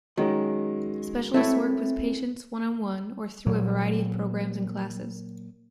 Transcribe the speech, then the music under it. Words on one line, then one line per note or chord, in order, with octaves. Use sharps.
Specialists work with patients one-on-one, or through a variety of programs and classes.
D#3 F#3 G#3 C#4
A3 C4 E4 C#5
A#2 F#3